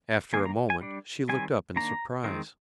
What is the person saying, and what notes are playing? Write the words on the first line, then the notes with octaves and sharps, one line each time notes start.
After a moment she looked up in surprise.
D#3 A#3 D4 G#5
A#5
G#5
G3 D4
D#3 G3 C4 G#5
D#3 A#3 D4 A#5
D#3 G#3 C4